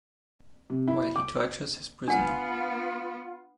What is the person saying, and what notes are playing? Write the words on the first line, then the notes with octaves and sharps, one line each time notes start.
While he tortures his prisoner.
C3
E4
D6
B3 D4 F4 F#5